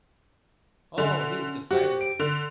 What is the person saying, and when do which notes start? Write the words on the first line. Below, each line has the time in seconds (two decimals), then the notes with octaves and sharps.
"Oh, he was, decidedly."
0.98 D3 C#4 E5 F#5
1.71 F#4 G4 C5
2.01 D7
2.19 D3 D5